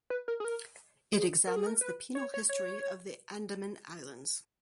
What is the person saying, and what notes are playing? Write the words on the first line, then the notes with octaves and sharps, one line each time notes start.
It examines the penal history of the Andaman Islands.
B4
A#4
G#4
A#4
G#4
A#4
G#4
A#4
B4
C#5
C#5
C#5